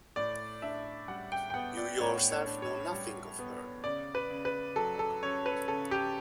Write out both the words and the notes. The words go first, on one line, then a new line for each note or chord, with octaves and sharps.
You yourself know nothing of her.
A2 D5
D4 E5
G3 F#5
G5
G5
B3 F#5
D5
A2 C#5
C#5
D4
C#5
G3
B3
C#3 D5
B4
C#3
B4
F#3 A4
A4
C#4 C#5
B4
C#3 A4
G4